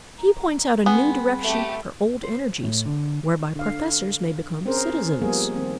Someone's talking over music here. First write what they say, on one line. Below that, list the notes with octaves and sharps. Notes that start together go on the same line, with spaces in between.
He points out a new direction for old energies, whereby professors may become citizens.
A#5
G3 B3 C4 G#4 G#5
A3 G4
C5
A2
D3
D3 F5
C4 C#4 G#4 A#4 C5
F3 G3 A#3 B3 G#4
D#3 C4